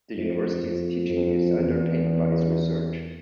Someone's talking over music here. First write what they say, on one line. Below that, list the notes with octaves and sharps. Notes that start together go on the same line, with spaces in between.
The university's teaching is underpinned by its research.
F2
F2
F2
E2